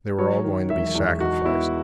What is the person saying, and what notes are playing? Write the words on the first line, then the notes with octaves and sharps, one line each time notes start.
They were all going to be sacrificed.
F#3 C#5
D#3
E1 E5
E2
D#4 F#4
B3 E4